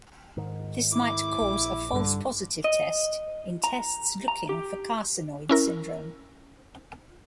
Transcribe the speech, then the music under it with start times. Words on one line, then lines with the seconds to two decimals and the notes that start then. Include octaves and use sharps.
This might cause a false positive test in tests looking for carcinoid syndrome.
0.37 G#2 D#3
0.93 E4 D6
1.41 A#1
1.92 G2 D3 G3
2.64 D#5
3.64 A#5
4.28 A#5
4.49 G4
5.49 C#4 E4 A#4